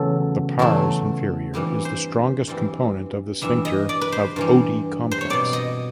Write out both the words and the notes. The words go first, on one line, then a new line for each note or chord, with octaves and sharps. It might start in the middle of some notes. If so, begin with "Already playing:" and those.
The pars inferior is the strongest component of the sphincter of Oddi complex.
Already playing: E2 C#3 F#3 A3 A4
E2 C#3 F#3 A3
G2 E3 G3 C4
C5
G2 E3 G3 C4
G2 E3 G3 E5
D#5
D5
B4
C5
G2 E3 G3
C5
C#5
B2 G3 C4 D5
D#5